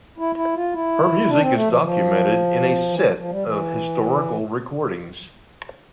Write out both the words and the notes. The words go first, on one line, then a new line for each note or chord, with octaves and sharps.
Her music is documented in a set of historical recordings.
E4
E4
F4
E4
D4
C4
A3
F3
F3
E3
F3
F3
G3
E3